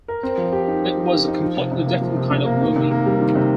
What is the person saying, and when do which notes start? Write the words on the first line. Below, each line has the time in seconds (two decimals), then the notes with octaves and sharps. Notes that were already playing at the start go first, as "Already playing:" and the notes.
It was a completely different kind of movie.
0.08 A#4
0.23 C4
0.38 F3
0.52 G4
0.68 D#4
0.82 C4
0.97 F3
1.12 G4
1.28 D#4
1.42 F3
1.57 C3
1.72 C3
1.87 A#3
2.02 F3
2.17 C3
2.31 C3
2.46 A#3
2.61 D#3
2.76 C3
2.91 A#3
3.06 G3
3.21 D#3
3.35 C3